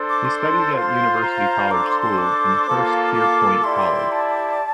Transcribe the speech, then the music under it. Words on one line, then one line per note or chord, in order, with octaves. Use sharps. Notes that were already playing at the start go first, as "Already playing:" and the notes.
He studied at University College School and Hurstpierpoint College.
Already playing: D4 A4 C5
D6
C6
F4 C5 F5
A#5
D4 A4 C5 D6
C6
C6
D6
A#3 F4 A4
D6
E4 G4 D5 C6
A5